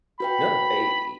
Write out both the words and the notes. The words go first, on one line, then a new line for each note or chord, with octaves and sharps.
No, a th
F#4 B4 G5 B5